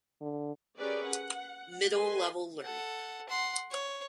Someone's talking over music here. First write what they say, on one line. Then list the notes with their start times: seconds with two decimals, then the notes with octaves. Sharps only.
Middle Level Learning.
0.21 D3
0.78 C#4 G4 G#4 A#4 B4 D5
1.06 F#5
1.92 A4 B4 D#5 G#5 C6
2.62 A4 F#5
3.29 F#5 C6
3.71 C#5